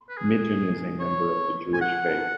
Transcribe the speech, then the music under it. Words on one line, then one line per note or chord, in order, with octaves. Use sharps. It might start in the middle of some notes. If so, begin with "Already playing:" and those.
Migden is a member of the Jewish faith.
B4
G#4
C#5
G#5
F#5